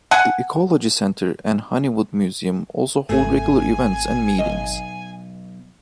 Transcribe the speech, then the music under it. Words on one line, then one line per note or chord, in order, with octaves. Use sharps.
The Ecology Centre and Honeywood Museum also hold regular events and meetings.
F#5 G#5
G#1 A3 G#5
B1 D#5